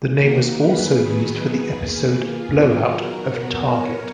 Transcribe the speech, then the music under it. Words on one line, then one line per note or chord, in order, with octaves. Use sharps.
The name was also used for the episode "Blow Out" of "Target".
D#3 A#3 F#4 A#4
G#4 B4
D#3 F#3 B3
G#4 B4
D#3 A#3
F4 G#4
D#3 F#3 B3
F#4 A#4
B2 F#3 B3
A#4 C#5